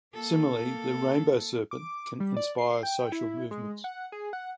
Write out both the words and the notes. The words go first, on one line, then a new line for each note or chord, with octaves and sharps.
Similarly, the Rainbow Serpent can inspire social movements.
A#3 A4
D6
G3
D5
C7
G5
E4
G#3
F#5
G#4
F#5